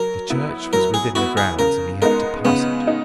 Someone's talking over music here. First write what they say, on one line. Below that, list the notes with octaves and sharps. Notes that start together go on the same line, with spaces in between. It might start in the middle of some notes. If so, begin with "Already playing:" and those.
The church was within the grounds, and he had to pass it.
Already playing: F#3 A#4
B3 E4
F#3 A#4
G#4
B3 E4 F#4
G#4
C#3 A#4
G#3 B3 D#4 A#4
C#3 B3
D#4